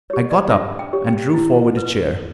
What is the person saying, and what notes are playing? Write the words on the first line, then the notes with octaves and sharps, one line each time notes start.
I got up and drew forward a chair.
G4 C#5
D5
D4 E5
G5
G4 C#5
G5
E4
B4